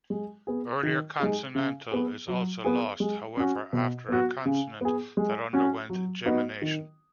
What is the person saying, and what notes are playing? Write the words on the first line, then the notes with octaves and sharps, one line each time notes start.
Earlier consonantal is also lost, however, after a consonant that underwent gemination.
G#3
B3 G#4
D#3
G#3 D#4 G#4
C#3
B3 G#4
F#3
B3 G#4
G#3
C#4 F#4
B2
B3 F#4
C#3
B3 G#4
G#3
C#4 F#4
F#3
B3 D#4 F#4
D#3